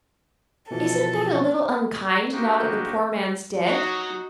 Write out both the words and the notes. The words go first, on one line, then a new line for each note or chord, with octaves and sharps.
"Isn't that a little unkind now that the poor man's dead?"
B2 E3 F3 A4
A#3 D4 D#4 F#4 G4 C5
F#3 D#4 F#4